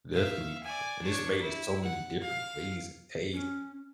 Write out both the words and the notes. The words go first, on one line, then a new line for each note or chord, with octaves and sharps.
definitely, and it's made in so many different ways and taste.
E5 F5
D5 G#5
D4 C#5
E4
F#5
F5
C#4